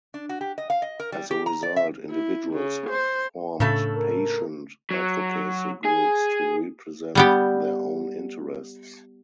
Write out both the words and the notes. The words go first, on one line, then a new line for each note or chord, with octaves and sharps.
As a result, individuals have formed patient advocacy groups to represent their own interests.
D4
F#4
G4
D#5
F5
D#5
A#4
G3
G4
A#5
D5
E5
E4
C#3
C5
A2 C#3 A3 D4 A4
A#4
F#3
G#4
G3 B3 G4